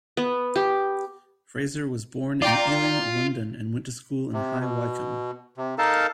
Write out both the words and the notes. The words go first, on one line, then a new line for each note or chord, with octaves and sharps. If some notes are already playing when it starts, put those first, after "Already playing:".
Fraser was born in Ealing, London and went to school in High Wycombe.
B3
G4
F4 D5 G5 A#5
C3
B2
C3
D#4 A4 A#4 F5 A5